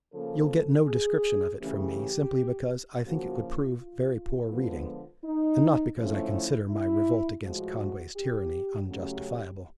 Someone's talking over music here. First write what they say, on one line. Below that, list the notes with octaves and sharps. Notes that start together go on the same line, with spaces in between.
You'll get no description of it from me, simply because I think it would prove very poor reading, and not because I consider my revolt against Conway's tyranny unjustifiable.
C#3 F3 A#3 A4
G#4
C#3 E3 A3 C#4 G4
C#3 F3 A#3 F#4
F4
F4
D3 F3 G#3 B3
D#4
D3 F3 A3 C#4 E4
E4
A2 F3 G#3 F#4
G4
C#3 F#3 A3 C#4 G4